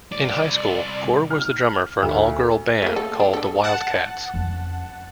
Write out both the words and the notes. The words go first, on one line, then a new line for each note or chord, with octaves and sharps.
In high school, Gore was the drummer for an all-girl band called the Wildcats.
C2 D5
F6
D2
A3 A#3
A4
D4
D4 A4
F#5 A5
F2 C#3